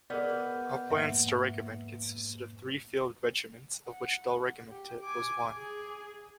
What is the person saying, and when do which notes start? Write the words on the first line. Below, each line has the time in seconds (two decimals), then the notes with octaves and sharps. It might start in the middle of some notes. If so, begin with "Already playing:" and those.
"Upplands storregemente" consisted of three field regiments, of which the "Dalregementet" was one.
0.10 B3 G#4 A#4 D5 D#5 F6 G6
0.90 F2 G#2 A#3 E5
3.85 F#5
4.71 G4
5.03 G#5 D6
5.56 G#4